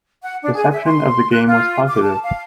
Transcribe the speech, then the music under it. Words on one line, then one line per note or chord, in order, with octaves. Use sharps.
Reception of the game was positive.
F#5
D4
G#4
E5
C6
F#6
F4
D6
A5
F5